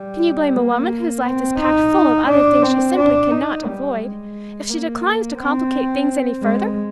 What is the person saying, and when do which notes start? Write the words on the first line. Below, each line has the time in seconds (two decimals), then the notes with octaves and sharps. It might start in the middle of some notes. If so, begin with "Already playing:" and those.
Can you blame a woman whose life is packed full of other things she simply cannot avoid, if she declines to complicate things any further?
Already playing: G3
0.56 A#3
1.25 C4
1.59 D#4
2.28 D4
2.62 C4
2.97 D4
3.31 D#4
3.66 G3
4.01 G#3
4.70 A#3
5.39 C4
6.42 G#3